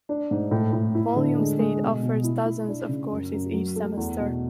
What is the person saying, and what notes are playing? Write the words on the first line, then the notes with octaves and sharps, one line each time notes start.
Volume State offers dozens of courses each semester.
D4
G#2
A2
A2
E4
D3
G#3
G#3
B2
B2
E4
E4
D4
C#3
F#2
F#2
F#3
A3
E2
B2